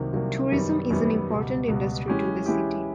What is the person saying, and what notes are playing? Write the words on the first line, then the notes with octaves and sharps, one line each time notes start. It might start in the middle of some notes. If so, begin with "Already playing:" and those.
Tourism is an important industry to the city.
Already playing: C2 C3 D#3 F#3 A#3
C2 C3 D#3 F#3 A#3
F#2 D#3 G3 B3
F#2 D#3 G3 B3
C#2 B2 G3
C#2 B2 G3
E3 G#3 C#4 E4 G4
E3 G#3 C#4 E4 G4